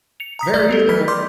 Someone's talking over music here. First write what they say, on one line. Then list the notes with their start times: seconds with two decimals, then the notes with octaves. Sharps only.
very they're a
0.20 C#7 F7
0.39 A#5 D#6 B6
0.53 G3 A3 D5 G6 G#6
0.69 B3 G4 A4
0.89 F#3 B5 F6 G6 B6
1.08 D5 C6 D6 F6 G6